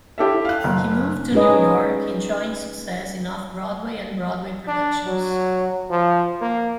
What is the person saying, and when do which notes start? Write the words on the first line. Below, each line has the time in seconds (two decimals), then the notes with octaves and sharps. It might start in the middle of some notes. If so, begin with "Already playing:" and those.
He moved to New York, enjoying success in Off Broadway and Broadway productions.
0.18 E4 G4 A4 E5
0.45 F5 F#6
0.64 F#1
1.32 G#3 C#4 D#4 G#4 B4 D#5
4.67 D4
5.07 F#3
5.90 F3
6.41 A#3